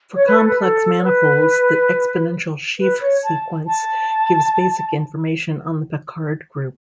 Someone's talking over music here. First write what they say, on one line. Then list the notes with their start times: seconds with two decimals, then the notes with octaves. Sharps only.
For complex manifolds the exponential sheaf sequence gives basic information on the Picard group.
0.15 C#5
0.27 B4
0.37 A4
0.47 B4
0.60 A4
0.99 C#5
1.03 B4
2.79 B4
3.00 C#5
3.23 A5
3.67 A5